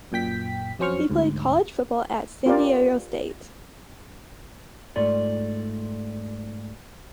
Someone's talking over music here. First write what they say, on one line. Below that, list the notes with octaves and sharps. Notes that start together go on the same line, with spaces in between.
He played college football at San Diego State.
F#2 A#2 G5 B6
F2 F#3 C#4 C5 C#6 F6
D2 G#2
F4 G4 A#4 D5
G#2 A3 F4 D5